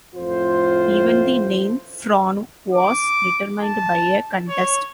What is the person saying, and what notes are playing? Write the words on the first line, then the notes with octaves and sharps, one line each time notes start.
Even the name "Frohnau" was determined by a contest.
F2 A2 F4 C5
D6
A5
C#5